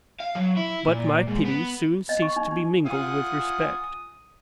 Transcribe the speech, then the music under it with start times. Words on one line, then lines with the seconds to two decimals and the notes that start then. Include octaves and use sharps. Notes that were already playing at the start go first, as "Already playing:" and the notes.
But my pity soon ceased to be mingled with respect.
0.20 F5
0.35 F#3
0.57 E4
0.88 A#2
1.28 G#2
1.45 B3
2.09 D#5
2.22 C#6
2.36 D#4
2.51 D#4
2.86 F4 F#5 G#5 D#6